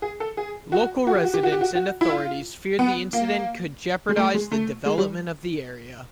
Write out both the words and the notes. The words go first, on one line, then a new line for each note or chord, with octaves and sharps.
Local residents and authorities feared the incident could jeopardise the development of the area.
G#4
A4
G#4
F#4
F#4
G4
F#4
G4
F#4
G4
F#4
F#4
E4
F4
B3
A#3
G#3
A3
G#3
A3
G#3
G3